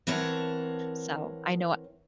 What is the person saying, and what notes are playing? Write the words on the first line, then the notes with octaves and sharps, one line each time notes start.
so I know
E3 C4 A#4 C#5 F#5 A5